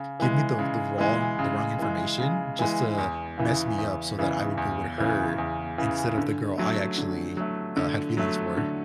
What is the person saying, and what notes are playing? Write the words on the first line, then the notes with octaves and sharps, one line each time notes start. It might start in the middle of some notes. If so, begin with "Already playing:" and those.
give me the the wrong the wrong information just to mess me up so that I would go with her instead of the girl I actually, uh, had feelings for.
Already playing: C#3
E3 G#3
C#3
E3 G#3
C#3
E3 G#3
C#3
E3 G#3
E2
C#3 E3
E2
C#3 E3
E2
C#3 E3
E2
C#3 E3
D3
F#3 A3
D3
F#3 A3
D3
F#3 A3
D3